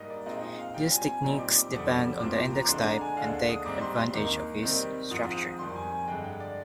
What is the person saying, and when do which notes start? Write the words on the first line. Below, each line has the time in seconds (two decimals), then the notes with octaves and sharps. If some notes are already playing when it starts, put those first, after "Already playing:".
These techniques depend on the index type, and take advantage of its structure.
Already playing: G#2 G3 A#3 D#4 D#5
0.10 D5
0.26 A#2 G#3 C4 D#4 D#5
0.43 D#5
0.59 F5
0.74 C3 G3 C4 F4 G5
0.91 G#5
1.07 G#5
1.23 A#2 G3 C4 D#4 A#5
1.39 D6
1.56 D6
1.71 F2 D3 G3 D#6
1.88 D6
2.04 D6
2.20 C2 A#2 F3 C4 D6
2.36 D6
2.53 A#5
2.65 D6
2.68 D3 G#3 D4 C6
2.84 A#5
3.01 G#5
3.16 D#2 D3 G#3 D4 F5
3.49 D#6
3.65 G#2 G3 C4 D#4 D6
3.81 C6
3.98 C6
4.14 D#2 D#3 A#3 D#4 D6
4.62 C3 D#3 G3 C4 D#4
5.11 G#2 F3 C4 F4 D#6
5.27 D#6
5.43 D#6
5.59 F2 D#3 G3 C6
5.76 G#5
5.91 G#5
6.08 G2 D3 G#3 G5
6.24 G5
6.40 D5